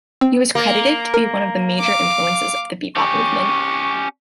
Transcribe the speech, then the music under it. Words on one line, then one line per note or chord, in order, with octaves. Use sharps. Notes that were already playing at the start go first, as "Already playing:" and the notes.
He was credited to be one of the major influences of the bebop movement.
C4
A#3
A#4
F5 D6
C#4 G4 C#6